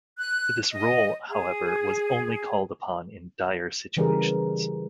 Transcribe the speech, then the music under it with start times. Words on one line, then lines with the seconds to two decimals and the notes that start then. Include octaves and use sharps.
This role, however, was only called upon in dire situations.
0.18 F#6
0.72 D#5
1.29 G#4
3.97 C#3 E3 G3 G#4 A#4